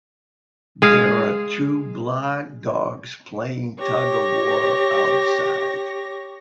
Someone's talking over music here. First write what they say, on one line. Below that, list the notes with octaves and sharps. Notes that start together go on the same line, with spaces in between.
There are two blog dogs playing tugofwar outside.
G#3 G#4 F5
G4 C#5 A#6